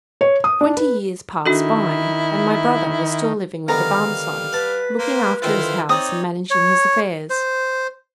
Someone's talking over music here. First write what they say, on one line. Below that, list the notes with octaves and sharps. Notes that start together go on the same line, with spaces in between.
Twenty years passed by, and my brother was still living with the Barmecide, looking after his house, and managing his affairs.
C#5
D#6
D4
B4
D#3 D4 E4 F#4 A4
D3 D#3 G3 B3 F5 A#5
B4 F#5 A5
A#3 C5
D3 D#3 E4 F4 C5 F5
C4 D#4 C#5 D5 A#5 D#6
C#5
C5